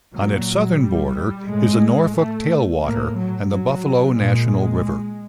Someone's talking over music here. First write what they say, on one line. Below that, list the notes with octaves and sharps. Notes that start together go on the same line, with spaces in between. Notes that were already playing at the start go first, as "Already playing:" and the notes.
On its southern border is the Norfork Tailwater and the Buffalo National River.
A#2 F#3
G3
A2 G#3
A3
A2 A#3
F#3
F#3
A#2 G#3